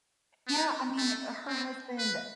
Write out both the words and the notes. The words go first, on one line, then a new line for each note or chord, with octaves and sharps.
Yeah. I mean, her husband
B3
A3
C4
B4